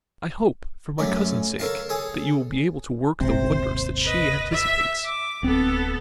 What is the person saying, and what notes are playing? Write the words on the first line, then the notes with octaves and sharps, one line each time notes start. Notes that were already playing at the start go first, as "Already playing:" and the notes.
I hope, for my cousin's sake, that you will be able to work the wonders that she anticipates.
F#2 A3 C#4 D5
A4 A#4 C#5 F5 A5
G#4 A4 C#5
D#1 G#1 C3 C5
B4 D#5
E5
D6
D1 B3 C4 A4